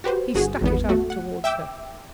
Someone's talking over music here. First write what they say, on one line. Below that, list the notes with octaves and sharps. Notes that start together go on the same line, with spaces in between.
He stuck it out toward her.
F#4 G4 B4 C5
G1 F#4 G#4
G#1 E2 B3
A3 F#4
F#5
E5 G5 D6 E6